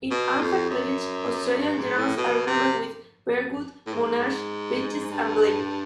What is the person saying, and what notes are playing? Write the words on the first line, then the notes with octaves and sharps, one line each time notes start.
In Anzac Village, Australian Generals are remembered with Birdwood, Monash, Bridges and Blamey.
B2
F2
F#2
G2
G#2
A2
B2
C3
A2
G#2
G2